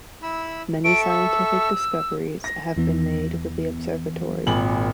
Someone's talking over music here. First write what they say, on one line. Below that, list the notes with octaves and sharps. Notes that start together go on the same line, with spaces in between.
Many scientific discoveries have been made with the observatory.
E4 B5 E6
A4 E5 C#6 D7
E6
A#6
E2 E3 B3
G#1 A#2 G#5 B5 D6 F#7